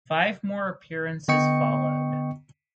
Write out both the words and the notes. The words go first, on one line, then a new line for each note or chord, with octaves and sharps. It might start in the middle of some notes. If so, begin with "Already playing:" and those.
Five more appearances followed.
D3 B3 D#5 G5 C#6 C#7